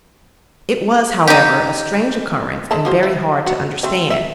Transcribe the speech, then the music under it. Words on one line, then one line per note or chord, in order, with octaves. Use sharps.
It was, however, a strange occurrence and very hard to understand.
D#4 G4
G#3 A5 A#5
F3 F#3 C5
E4
F#4
A3 C4
E5